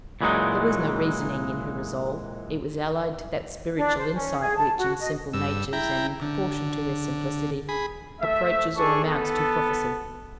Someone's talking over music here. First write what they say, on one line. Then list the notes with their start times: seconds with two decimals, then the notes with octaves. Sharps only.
There was no reasoning in her resolve: it was allied to that spiritual insight which, in simple natures, and in proportion to their simplicity, approaches or amounts to prophecy.
0.21 A#2 E3 F#3 G#3 D#4
3.77 D4
3.98 C5
4.14 C#4
4.40 G#4
4.57 A5
4.77 F#4
5.00 D#5
5.33 G2 E6
5.73 E4 G5 A#5
6.22 D3
7.69 G#4 B5
8.21 A3 E5
8.76 D4 G#4 A4 C#6
9.05 B3 A4